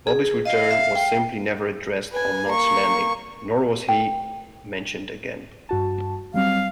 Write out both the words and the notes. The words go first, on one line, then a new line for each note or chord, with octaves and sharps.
Bobby's return was simply never addressed on "Knots Landing", nor was he mentioned again.
G#4
D#5 F5
E5
G5
B4 G#5
A#3 C#6
G5
G2 F#4 A5
F#3 G3 C4 F5